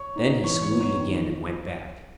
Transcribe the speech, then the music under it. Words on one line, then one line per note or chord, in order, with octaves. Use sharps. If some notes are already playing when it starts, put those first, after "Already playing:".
Then he saluted again and went back.
Already playing: C#5 C#6
B3 D#4
E3 C#5 C#6
C#5 C#6
B3 D#4
C#5 C#6
D#3